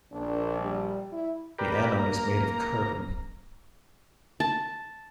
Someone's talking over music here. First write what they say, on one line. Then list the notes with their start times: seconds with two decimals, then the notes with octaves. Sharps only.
The anode is made of carbon.
0.13 A#1 D4
0.61 G3
1.12 E4
1.59 G4 A#4 B4 D5
1.99 A#3 A#5
4.40 A5